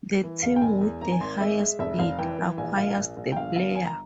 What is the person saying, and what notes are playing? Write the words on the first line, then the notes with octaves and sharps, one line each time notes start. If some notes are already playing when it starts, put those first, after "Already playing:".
The team with the highest bid acquires the player.
E3
E2 F5
G5
E1 G#5
E2
G#1 A#5
G#5
G#1 C6
G#3 E5
G#3
F1 E5
F1 F5
E3 G5
E3
A#1 G#5
A#1 F5
A#1
A#1
G5
G1 F5
G1 F5
G1 G#5
A#5